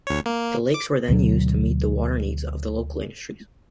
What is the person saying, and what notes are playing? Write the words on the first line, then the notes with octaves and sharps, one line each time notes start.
The lakes were then used to meet the water needs of the local industries.
D2 C#5
A#3
D6
D2 B2 F#3